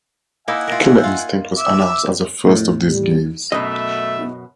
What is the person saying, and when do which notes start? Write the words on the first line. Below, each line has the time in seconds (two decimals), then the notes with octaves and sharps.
"Killer Instinct" was announced as the first of these games.
0.48 A#3 D#4 E4 E5 F#5 G#5
0.68 F4 A#4
1.04 F4
1.57 E5 D6 E6
2.48 F2 A2
2.88 G3
3.52 F#2 B2 A3 D#5 E5